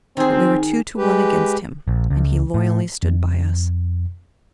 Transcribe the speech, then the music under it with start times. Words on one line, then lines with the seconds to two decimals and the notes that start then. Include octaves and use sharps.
But we were two to one against him and he loyally stood by us.
0.17 D#3 C4 G#4
0.97 G#3 G4 B4
1.88 A#1
2.10 C#2
2.54 A2
3.03 F2